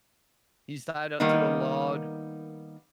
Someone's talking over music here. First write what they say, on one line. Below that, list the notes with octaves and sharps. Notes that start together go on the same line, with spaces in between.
he's tied up to a log,
D#3 G3 A#3 B3 D#4